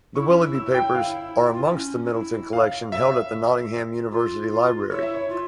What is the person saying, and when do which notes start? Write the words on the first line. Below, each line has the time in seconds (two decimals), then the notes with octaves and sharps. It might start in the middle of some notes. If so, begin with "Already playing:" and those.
The Willughby papers are amongst the Middleton collection held at the Nottingham University Library.
0.15 E4 C#6
0.28 C#4
0.42 E4
0.55 E6
0.74 G5
0.95 F5
1.53 F4
1.63 E4
1.73 C#4
2.04 C#4
2.12 E4
2.53 F5
2.92 E5
4.11 F4
4.51 F4
4.90 E4 C#5
5.02 E5
5.14 C#5
5.29 F4